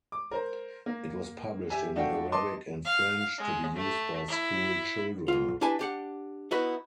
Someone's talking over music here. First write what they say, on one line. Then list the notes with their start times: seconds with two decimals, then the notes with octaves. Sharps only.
It was published in Arabic and French, to be used by school children.
0.12 D6
0.31 A#4 C5 A#5
0.86 A#3
1.70 G4 E5 G#5
1.96 A3 D4 F#4 D5 F5 G5
2.32 B4 D#5 A5 C6 D6
2.85 F5
3.38 G#3
3.75 A3
4.28 E4
5.28 B1 F4
5.61 D4 E4 G4 B4 G#5 A5
5.79 D4 G4 F#5
6.51 B3 D#4 E4 F#4 B4